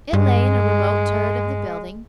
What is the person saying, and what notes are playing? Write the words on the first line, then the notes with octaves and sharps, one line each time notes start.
It lay in a remote turret of the building.
G2 G#3